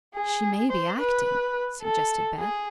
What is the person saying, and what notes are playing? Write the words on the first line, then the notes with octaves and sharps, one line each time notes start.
"She may be acting," suggested Beth.
G#4
C5
B4
A4
G#4